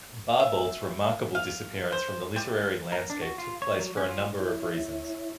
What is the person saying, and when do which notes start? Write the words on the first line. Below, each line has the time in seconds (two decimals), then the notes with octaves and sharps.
Barbauld's remarkable disappearance from the literary landscape took place for a number of reasons.
0.40 E5
1.35 F5
1.92 C5
2.36 G3
2.92 A#4
3.10 D4
3.22 F#4
3.38 F4
3.62 C#5
3.79 F#3
3.97 C#4
4.09 F4
4.39 E4 C#5 E5